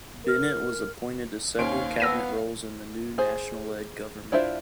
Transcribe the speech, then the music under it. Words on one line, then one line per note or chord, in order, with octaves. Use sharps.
Bennett was appointed to several cabinet roles in the new National-led government.
A#4 F6
D#2 C#4 C5 F5 D7
B3 E6 A#6 D#7
G#4 C5
D4 E4 F4 C5 E5